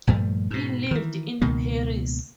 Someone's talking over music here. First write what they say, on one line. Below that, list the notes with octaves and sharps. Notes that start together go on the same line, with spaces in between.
He lived in Paris.
A#1 G2 F3 A3
G#2 B2
D#3 E3
C#2 B2 D#3 A#3